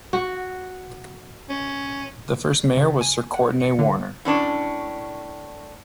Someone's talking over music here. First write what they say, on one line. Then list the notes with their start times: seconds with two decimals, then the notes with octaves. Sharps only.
The first mayor was Sir Courtenay Warner.
0.13 F#4
1.49 C#4
2.77 C#3
3.01 G#5
3.34 F#5
3.60 C#7
3.79 D3
4.25 A2 C#4 D4 C#5